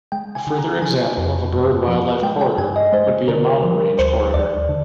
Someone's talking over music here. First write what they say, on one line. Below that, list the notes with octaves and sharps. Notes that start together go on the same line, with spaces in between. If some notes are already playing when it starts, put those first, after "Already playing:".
A further example of a bird wildlife corridor would be a mountain range corridor.
G#3 G5
G#5
D3
A#5
F3 G#5
F2
G2
F3
G#3 G5
G5
G2 G#5
D#5
G#3 C5
D3 A#4
F3 A#4
D2 C5
D#2 D5
D3